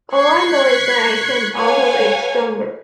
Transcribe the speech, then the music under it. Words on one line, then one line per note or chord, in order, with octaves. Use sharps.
All I know is that I came out of it stronger.
C#6 F#6 G#6 B6 C7
A4 B4 C#5 F5 F#5 G#5